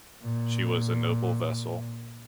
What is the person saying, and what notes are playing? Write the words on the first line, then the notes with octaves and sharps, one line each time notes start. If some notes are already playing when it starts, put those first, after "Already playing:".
She was a noble vessel.
A#2